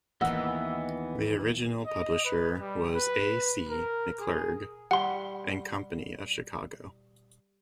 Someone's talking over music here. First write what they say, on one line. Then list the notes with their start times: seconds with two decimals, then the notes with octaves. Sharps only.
The original publisher was A. C. McClurg and Company of Chicago.
0.21 D#2 E3 B3 D#5 F#5 E6
1.86 D#5
2.25 B4
2.60 G3
2.95 B4
3.69 A#4
4.20 G#4
4.91 G3 F#5 C6